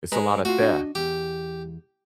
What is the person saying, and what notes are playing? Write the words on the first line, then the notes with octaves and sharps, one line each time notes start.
It's a lot of theft.
G#3 B4 A#5
A3 F4 F#4
D4 D#5
E2 G4